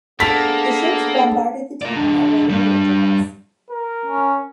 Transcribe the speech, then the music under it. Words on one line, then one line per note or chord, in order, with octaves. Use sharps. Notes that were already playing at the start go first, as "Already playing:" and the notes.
The ships bombarded the town at regular intervals.
A#3 B3 D4 G#4 A4 B6
A#4 D5
E3 D4
G3 D4
A#4
C#4